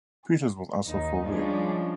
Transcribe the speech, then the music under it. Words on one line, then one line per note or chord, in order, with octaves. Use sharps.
Peters was also for Witt.
D#2 D#4
F3 G3 G#3 C#4 D4